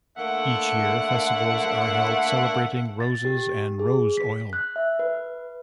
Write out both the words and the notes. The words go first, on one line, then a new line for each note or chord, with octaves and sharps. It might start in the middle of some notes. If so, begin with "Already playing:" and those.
Each year, festivals are held celebrating roses and rose oil.
D3 A3 A#3 E5 F#5
A6
G4
G#4
B6
F#6
E5
B4